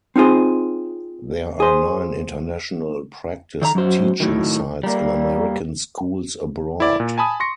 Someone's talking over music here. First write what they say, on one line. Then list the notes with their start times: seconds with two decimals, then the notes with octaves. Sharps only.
There are nine international practice teaching sites in American schools abroad.
0.16 C4 D#4 F4 G#4 C5
1.60 G#4 C5
3.62 D#3 A4 D#5 A#5
3.75 F#2 F#3 F#4 C5
4.20 A2 D#3
4.83 G3 A#3 D5 A#5
6.80 E4 D5
7.00 A#2
7.18 G#5 A5 B5 D#6
7.40 C6 C#6 A#6 C#7